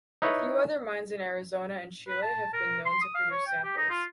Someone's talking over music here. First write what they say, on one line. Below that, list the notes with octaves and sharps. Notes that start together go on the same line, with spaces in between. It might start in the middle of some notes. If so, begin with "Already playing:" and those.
A few other mines in Arizona and Chile have been known to produce samples.
D#4 E4 B4 C#5
B4
A5
A#4
C6
D#6
F5
C#5
G5
G4
D#4
F4